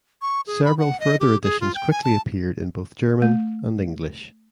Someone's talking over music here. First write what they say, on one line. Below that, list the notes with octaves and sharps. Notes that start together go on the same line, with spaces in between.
Several further editions quickly appeared in both German and English.
C#6
G#4
B5
F#5
D#5
G4
G#4
F4
G5
G#5
A5
A3